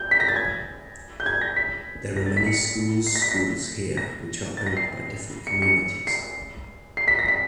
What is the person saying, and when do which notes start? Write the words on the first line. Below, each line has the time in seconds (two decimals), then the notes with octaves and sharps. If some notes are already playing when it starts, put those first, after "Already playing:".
There are many schools schools here which are owned by different communities.
Already playing: G6
0.11 B6
0.20 A#6
0.28 A6
0.36 G#6
1.20 G6
1.26 G#6
1.41 A#6
1.56 B6
2.17 A#6
2.26 A6
2.37 B6
2.47 C#7
3.07 C7
3.15 A#6
3.22 B6
3.31 A#6
3.37 B6
3.97 A#6
4.57 A6
4.66 A#6
4.77 C7
5.47 C#7
5.62 C#7
6.07 C7
6.97 C7
7.08 B6
7.19 A#6
7.28 B6